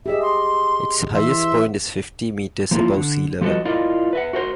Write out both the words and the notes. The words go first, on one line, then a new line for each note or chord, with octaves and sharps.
Its highest point is fifty meters above sea level.
G4 G#4 D#5 E5
C6
E3 E5 C6
F3 A#3 E4 F4
D3
F3 G3 F#4 A4 B4 D#5
E4 F4 A#4 D5 D#5 F5
B4 E5 F#5
F#4 A#4 C5